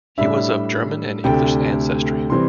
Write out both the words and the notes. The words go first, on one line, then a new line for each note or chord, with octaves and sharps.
He was of German and English ancestry.
A2 G3 D4 E5
D2 C3 A3 D4 G5
C3 E3 G3 C4 C6